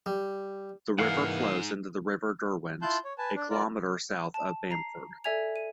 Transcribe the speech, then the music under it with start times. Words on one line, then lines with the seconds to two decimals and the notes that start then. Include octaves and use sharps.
The river flows into the River Derwent a kilometre south of Bamford.
0.06 G3
0.99 C2 E3 A#3 D#4 G#4 F5 F#5
2.82 E4 F4 A5 C6 F#6 G6
3.05 C#5
3.18 B4 G#5 A5
3.36 D4
3.50 F4 A#4 D5
4.34 A5
4.71 A#5 C7
5.24 A4 D5 E5 G#5 G#6 F7
5.56 D#7